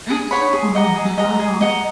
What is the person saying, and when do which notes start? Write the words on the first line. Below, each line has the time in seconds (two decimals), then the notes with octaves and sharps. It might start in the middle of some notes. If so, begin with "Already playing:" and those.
Its symbol was the lion.
0.10 G#4
0.31 C#5 F#5 B5
0.53 G#4
0.75 D#5 F#5 A#5
0.96 G#4
1.18 D#5 F#5 A#5
1.39 G#4
1.61 D#5 F#5 A#5